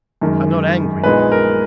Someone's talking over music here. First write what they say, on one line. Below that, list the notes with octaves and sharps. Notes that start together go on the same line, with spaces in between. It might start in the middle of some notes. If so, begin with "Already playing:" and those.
I am not angry now.
F#2 D#3 G#3
A#1 A#2 G#3 B3 D#4 B4
A#4